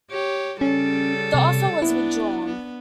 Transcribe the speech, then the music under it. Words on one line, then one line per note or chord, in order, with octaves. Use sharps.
The offer was withdrawn.
G4 C#5
C#3 G3 C#4 A4
C3
B3 D4 E4
B3